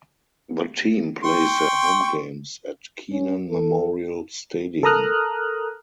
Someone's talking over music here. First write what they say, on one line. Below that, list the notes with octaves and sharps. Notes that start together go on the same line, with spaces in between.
The team plays their home games at Kenan Memorial Stadium.
G5 C6 C#6
C#4
A4
A4 A#4 A#5 D#6 F6 F#6